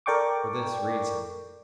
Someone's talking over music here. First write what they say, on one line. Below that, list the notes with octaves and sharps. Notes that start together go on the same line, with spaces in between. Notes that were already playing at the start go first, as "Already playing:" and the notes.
For this reason.
A4 A#4 D5 G5 C#6 D6